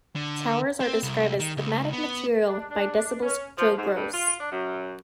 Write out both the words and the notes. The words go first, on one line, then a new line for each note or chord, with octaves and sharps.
Towers are described as 'thematic' material by "Decibel"'s Joe Gross.
D3
C4
C2
D#3
C#2
B3
D4
D4
D4
C#4
F3
G#2
G2
F4
D4
F#2